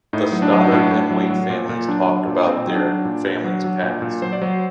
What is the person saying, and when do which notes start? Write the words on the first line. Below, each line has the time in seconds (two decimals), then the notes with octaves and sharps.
The Stoddard and Waite families talked about there families past.
0.13 A2 D#4
0.32 F#3
0.42 D4
0.53 F#3
0.64 D#4
0.71 A2 D4
0.91 A2
1.11 F#3
1.30 F#3
1.50 A#2
1.69 A#2
1.88 F#3 D4
2.08 F#3
2.27 A#2
2.46 A#2 C4
2.67 F#3 D#4
2.75 D4
2.85 F#3
3.05 A#2
3.25 A#2
3.44 F#3
3.64 F#3
3.83 A#2
4.02 A#2
4.22 F#3 C5
4.33 D5
4.42 F#3 C5